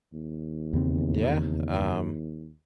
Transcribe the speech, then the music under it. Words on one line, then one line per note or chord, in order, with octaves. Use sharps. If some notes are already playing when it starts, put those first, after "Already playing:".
Yeah, um,
D#2
E2 C#3 C4